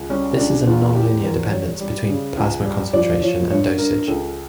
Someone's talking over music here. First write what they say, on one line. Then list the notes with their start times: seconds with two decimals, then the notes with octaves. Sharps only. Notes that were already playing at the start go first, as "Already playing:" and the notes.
This is a nonlinear dependence between plasma concentration and dosage.
Already playing: C#2
0.09 G3 C#4
0.38 C#2 D4
0.67 E2 F4
0.95 E3 G4
1.24 E2 A#4
1.51 G3 C#5
1.80 G3
2.09 C#3
2.37 C#2
2.65 G3
2.93 F3 D5
3.22 F3 C#5
3.50 G2 C#5
3.79 G2 A#4
4.07 C#2 A4